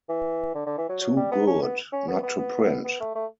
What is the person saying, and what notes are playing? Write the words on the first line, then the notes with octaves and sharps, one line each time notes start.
Too good not to print!
E3
D3
D3
E3
F#3
F#3
G3
B3
C#4
B3
C#4
B3
B3
B3
B3
A3
A3